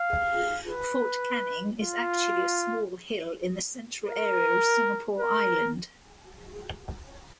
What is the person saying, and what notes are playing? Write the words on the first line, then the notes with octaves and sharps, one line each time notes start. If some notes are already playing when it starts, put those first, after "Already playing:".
Fort Canning is actually a small hill in the Central Area of Singapore Island.
Already playing: F5
B4
F4
A#4
A#4